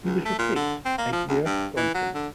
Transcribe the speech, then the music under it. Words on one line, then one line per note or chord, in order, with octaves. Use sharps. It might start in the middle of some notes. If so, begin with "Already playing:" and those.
He was replaced by Blair Thornton.
C#2
A3
A#2
D3
C4
A#3
F3
D2
G2
E3
F#3
D3